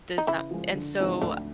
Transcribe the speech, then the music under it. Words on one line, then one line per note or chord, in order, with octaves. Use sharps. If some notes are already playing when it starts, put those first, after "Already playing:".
Does that and so
D#4
C#3 E3 E4
F3 G#3
D3
F3 G#3 C4 D#4
D2 D3 D4